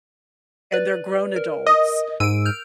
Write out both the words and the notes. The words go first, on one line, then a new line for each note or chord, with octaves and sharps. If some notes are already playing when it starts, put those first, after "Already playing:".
and they're grown adults.
B4 D5
A#4
D#5
G#2 E6 D7 D#7
F6 G6 F7